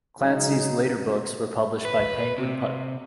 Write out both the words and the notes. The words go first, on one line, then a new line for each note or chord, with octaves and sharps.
Clancy's later books were published by Penguin Putnam.
C#3 F#3 G#3 D#4
B4
C3